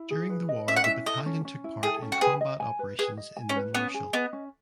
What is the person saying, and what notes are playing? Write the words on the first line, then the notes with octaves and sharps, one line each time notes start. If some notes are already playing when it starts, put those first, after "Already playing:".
During the war the battalion took part in combat operations in the Marshall.
Already playing: E4
G#4
B4
D#5
C#4 E5
F#5
E5
E4
A4 D#5
C#4
C#4
E4
G#4 A4
C#4
F#4
G#4 B4
D#5
G#5
B4
G#4 B4
D#5
G#5
C#4
B4
B3 C#4
G#4
B3 D#5
C#4